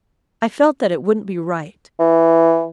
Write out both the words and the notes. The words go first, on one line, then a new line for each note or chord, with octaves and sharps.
I felt that it wouldn't be right.
E3